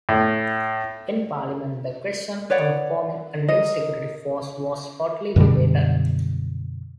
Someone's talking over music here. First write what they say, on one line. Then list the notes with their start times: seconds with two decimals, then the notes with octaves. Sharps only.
In parliament the question on forming a new security force was hotly debated.
0.09 A2
2.50 B4 C#5 D5 F#5
3.48 A#4 D#5
5.36 F#2 B2 D3 G3